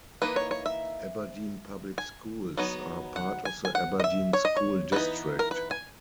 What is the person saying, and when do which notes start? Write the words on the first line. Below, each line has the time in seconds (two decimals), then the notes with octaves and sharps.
Aberdeen Public Schools are part of the Aberdeen School District.
0.22 E3 A#3 D#4 B4
0.36 C#5
0.51 C#5
0.66 E5
1.98 G#5
2.57 F#3 B3 D#4
3.16 F#5
3.45 G#5
3.65 G#5
3.75 F#5
4.00 D#5
4.04 E5
4.33 C#5
4.45 D#5
4.56 C#5
4.92 E3 B3 D#4 B4
5.39 A#4
5.51 B4
5.71 G#5